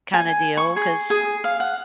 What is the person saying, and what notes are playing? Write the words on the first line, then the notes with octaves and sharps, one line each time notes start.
kinda deal 'cause
G#5
C#6
G#4
G#4
F5
F#5